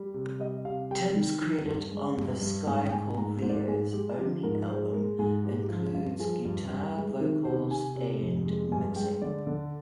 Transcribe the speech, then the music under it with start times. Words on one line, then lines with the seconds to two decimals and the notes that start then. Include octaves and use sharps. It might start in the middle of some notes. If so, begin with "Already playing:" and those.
Tim's credit on The Sky Corvair's only album includes, guitar, vocals, and mixing.
Already playing: G3
0.14 C3
0.40 G3 D#5
0.65 C3 F5
0.91 G3 G5
1.16 D#3
1.41 D#3
1.65 G2
1.91 G#3
2.17 G2
2.41 G2
2.66 G#2 G#5
2.85 G5
2.91 G#2 G#5
3.17 G#2 A#5
3.42 G#2 C5
3.49 D5
3.57 C5
3.68 G#2 G#4
3.92 G#3 G4
4.17 F3 G4
4.43 G#2 A#4
4.68 G#3 C5
4.93 G#3 A#4
5.19 G#2 G#4
5.43 G#3 G4
5.57 G4
5.69 F3 F4
5.94 G2 F4
6.19 F3 G#4
6.45 G2
6.69 G2
6.95 G#3
7.20 D#3 A#4
7.45 C3 C5
7.71 C3 G#5
7.96 C3
8.21 F2
8.46 G#3
8.72 G2 G#5
8.96 G#3 G5
9.22 D3 D5
9.47 D3